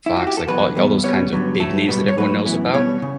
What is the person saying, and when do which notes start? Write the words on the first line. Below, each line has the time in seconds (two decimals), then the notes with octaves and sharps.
Fox, like, all all those kinds of big names that everyone knows about,
0.06 E4
0.17 F#4
0.27 G4
0.37 A4
0.48 E2 B2 F#3 B3 B4
0.75 E2 B2 G3 B3
1.04 C#3 G3 B3 C#5
1.33 G2 D3 F#3 B3
1.60 A2 F#3 A3 A4
1.89 B2 G3 B3
2.08 C#5
2.17 A2 F#3 A3 B4
2.45 F#2 E3 B3
2.74 B2 G3 B3 C#5
3.02 C#3